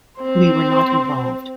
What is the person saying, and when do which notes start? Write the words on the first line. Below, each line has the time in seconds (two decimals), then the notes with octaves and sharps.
We were not involved.
0.20 C4 C5